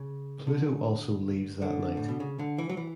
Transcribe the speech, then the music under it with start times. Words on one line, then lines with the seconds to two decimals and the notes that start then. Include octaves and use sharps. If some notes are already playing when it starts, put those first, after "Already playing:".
Pluto also leaves that night.
Already playing: C#3
0.47 D3
1.62 D3
1.97 A2
2.08 B2
2.20 C#3
2.39 D3
2.58 E3
2.69 F#3
2.77 E3